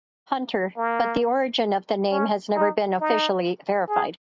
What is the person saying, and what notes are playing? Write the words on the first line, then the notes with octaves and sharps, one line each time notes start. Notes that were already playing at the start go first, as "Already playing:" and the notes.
Hunter, but the origin of the name has never been officially verified.
A#3
C#4
D#4
D#4
G#4